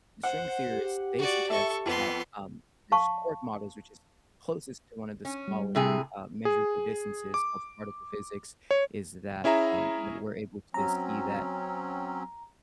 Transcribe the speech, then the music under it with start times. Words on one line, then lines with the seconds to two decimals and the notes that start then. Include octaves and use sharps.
the string theorists, they suggest that, um, there's quark models which is closest to one of the smallest, uh, measurable distances of particle physics is that, um, you know, we're able to see that,
0.23 C5 F#5
0.68 G4
1.19 F#4 D5
1.50 A4 E5 C#6
1.86 F2 B3 C6
2.92 F5 A5 C#6
5.25 C#4
5.48 G3
5.75 A2 C3 G#4
6.45 G#4
7.34 D6
8.71 C#5
9.44 C#4 E4 G#4 E5 A#5
10.74 F#3 C4 C#4 A#5